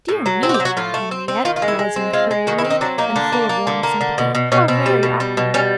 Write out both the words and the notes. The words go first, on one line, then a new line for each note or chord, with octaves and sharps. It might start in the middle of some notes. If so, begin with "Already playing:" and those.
"Dear me!" cried Henriette, rising hurriedly and full of warm sympathy. "How very awkward!"
A2
F#3
C4 G#4
F#4
G4
F#3
F#4
A2 F4
A3
C4
C4
D#3 F4
F4
G#3
E4
G#3
C4
G#3 F4
G#3
D#3 F#4
E4
C4
D#4
F#3 D4
A#3 D#4
D3 D4
A#3
A#3
D3
A#3
D3
B2
B2
B2 C#4
B2 C4
G3
B2
G3
B2
G3 C#4